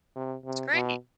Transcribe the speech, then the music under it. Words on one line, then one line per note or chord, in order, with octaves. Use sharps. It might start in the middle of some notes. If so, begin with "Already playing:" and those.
It's great.
C3
C3
B2